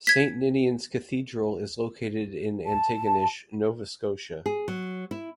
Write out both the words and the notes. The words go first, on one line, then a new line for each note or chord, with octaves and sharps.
Saint Ninian's Cathedral is located in Antigonish, Nova Scotia.
G#6 B6
A5
G#4
F#3
E4